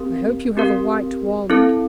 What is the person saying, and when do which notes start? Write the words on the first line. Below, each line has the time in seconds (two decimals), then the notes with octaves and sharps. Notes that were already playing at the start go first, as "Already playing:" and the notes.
I hope you have a white wand.'
Already playing: C4 G4 A#4
0.57 C4 G4 A#4
1.50 C4 E4 A4